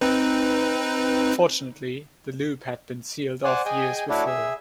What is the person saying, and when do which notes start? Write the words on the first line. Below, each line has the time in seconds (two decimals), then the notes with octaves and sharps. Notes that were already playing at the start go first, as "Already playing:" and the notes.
Fortunately, the loop had been sealed off years before.
0.01 C4 D#4 B4
3.44 C5 D5 F#5 G#5
3.66 G#4 D#5 G5 G#5
4.09 A3 D4 E4 F#4 C#5 D5
4.26 G#4 E5